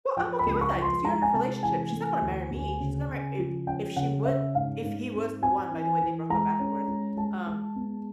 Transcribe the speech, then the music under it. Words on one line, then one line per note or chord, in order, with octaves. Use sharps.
Well, I'm okay with that, ‘cause you're in a relationship. She's not gonna marry me. She's gonna marry i if she would, if he was the one- by the way, they broke up afterwards, um
F3 G5
B5
C#2
C#6
F3
C6
G#3 A#5
G#5
C3 A5
E3 G#5
A3
D2
D2
C#3
C#3
F3
C#4 G5
C#3 F#5
C#4 E5
G#2 F5
G#2
C4
C4 G#5
E3
E3
G#3 A#5
C#4
G#3
G#3 A5
G#3
B3